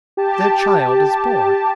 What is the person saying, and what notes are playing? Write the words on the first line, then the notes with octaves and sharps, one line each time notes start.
Their child is born.
G4 A5